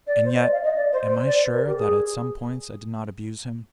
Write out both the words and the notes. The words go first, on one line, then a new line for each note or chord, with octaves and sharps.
And yet, am I sure that at some points I did not abuse him?
D5
C5
D#5
D5
F5
D#5
D5
C5
C5
D5
C5
A#4
G4
G#4